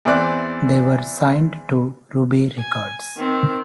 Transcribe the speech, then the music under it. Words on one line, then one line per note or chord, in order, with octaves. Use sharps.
They were signed to Ruby Records.
E2 E3 C4 D5 F#6
G#5
D#3 C4